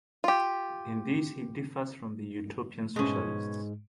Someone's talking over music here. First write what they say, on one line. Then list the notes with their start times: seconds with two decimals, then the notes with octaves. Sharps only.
In this he differs from the Utopian Socialists.
0.24 F4 G4
2.96 G#2 B2 G#3 C#4